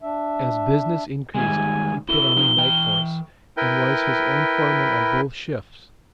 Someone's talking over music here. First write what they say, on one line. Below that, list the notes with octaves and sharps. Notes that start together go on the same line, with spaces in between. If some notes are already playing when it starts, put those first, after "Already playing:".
As business increased he put on a night force, and was his own foreman on both shifts.
D4 E5
D#3 G3 G#3 G#5
E4 F#4 A4 G7
F3 D#4
E3 G5
E4 A#4 B4 G5